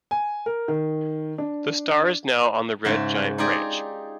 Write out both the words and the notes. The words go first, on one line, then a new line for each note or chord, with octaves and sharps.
The star is now on the red giant branch.
G#5
A#4
D#3
D4
G#2 C#3 F#4 E5
D#4 F4 G4 G#4 D5 D#5